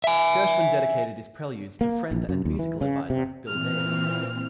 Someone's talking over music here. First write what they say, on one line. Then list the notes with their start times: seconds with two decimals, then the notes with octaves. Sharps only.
Gershwin dedicated his Preludes to friend and musical advisor Bill Daly.
0.04 E5 G#5
1.81 A#3
2.11 A#1
2.29 F#2
2.45 D#2
2.59 E3
2.81 C#3
3.10 C3
3.48 A#2 E3 C4 F6